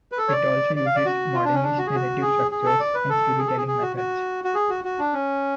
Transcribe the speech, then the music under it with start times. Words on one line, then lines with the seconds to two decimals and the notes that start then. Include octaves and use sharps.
It also uses modernist narrative structures and storytelling methods.
0.12 B4
0.18 A4
0.28 C#5
0.32 D5
0.76 D5
0.86 F5
0.95 D5
1.05 F#4
1.34 F4
1.45 D4
1.54 C#4
1.63 D4
1.78 F#4
1.87 G#4
1.95 F#4
2.22 G#4
2.51 G#4
2.65 A4
2.80 D5
2.94 B4
3.09 A4
3.38 G#4
3.47 A4
3.57 G#4
3.67 G#4
3.82 F#4
3.96 F#4
4.44 F#4
4.55 G#4
4.69 F#4
4.84 F#4
4.99 D4
5.14 C#4